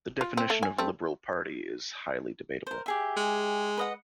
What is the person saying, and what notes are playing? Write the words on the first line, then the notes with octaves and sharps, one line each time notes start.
The definition of liberal party is highly debatable.
F4
C4
A3
G#5
G3 A3 C4
A#4 C5
G4 G#4 E5
G#3
B4 D#5 F#5